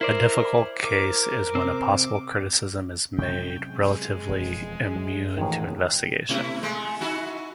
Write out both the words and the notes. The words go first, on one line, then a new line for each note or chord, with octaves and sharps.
A difficult case is when a possible criticism is made relatively immune to investigation.
E4 A#4 C5 D5
A#4 D6
C3 C4
C3 F#3 C#4 G5
G#3
E1 F2
F#2
A1 E2 D#3 F3
B2 A3 E4
G#3 A3
D#4 E4 F#4